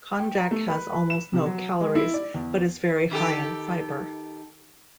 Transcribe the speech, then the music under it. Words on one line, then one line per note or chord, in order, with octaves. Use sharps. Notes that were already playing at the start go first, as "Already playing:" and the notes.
Konjac has almost no calories, but is very high in fiber.
G5
A#5
A3
B4
B4
E7
C3
F#3
G#3
E4
D5
E2
D#3 G4 A4